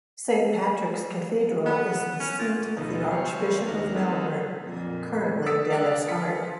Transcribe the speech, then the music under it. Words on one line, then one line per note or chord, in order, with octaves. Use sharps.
Saint Patrick's Cathedral is the seat of the archbishop of Melbourne, currently Denis Hart.
B3
C#4
A#2
D#2 B2 F3 B3 D#4 A4
C#3 E3 G3 C#5 F5 C6
D#2 D4 F#4 A#4 F6
C4 D#4 F4 G#4 A4 B4
F2 A#2
D#6 E6 A6 B6 C#7 D7
D4 D5 F5
F4 B6 C#7